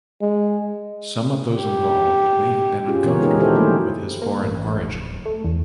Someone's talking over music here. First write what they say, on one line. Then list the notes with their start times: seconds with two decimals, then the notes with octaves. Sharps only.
Some of those involved may have been uncomfortable with his foreign origin.
0.21 G#3
1.54 G4
2.88 C#4 F4 G4 G#4
3.03 A#2 E3 B3 A#4 C#5
3.19 G#3 D#4 G4 G#4 A#4
3.39 D#3 E4 G4 A4 C5
3.54 D3 F3 F#3 A3 A#3 C5
4.22 A#3
4.43 A1
4.90 D1
5.26 A3
5.44 E2